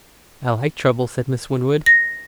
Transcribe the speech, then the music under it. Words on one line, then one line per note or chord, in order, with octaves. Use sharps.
"I like trouble," said Miss Winwood.
A#6